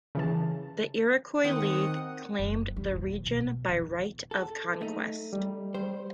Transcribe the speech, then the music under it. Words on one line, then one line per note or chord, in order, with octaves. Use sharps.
The Iroquois League claimed the region by right of conquest.
C#3 E3 A5
D#3 C4 F#5 D#6
F#1
G3
D#1
B2
E2
A4
A3 D#4
G3
G3 C5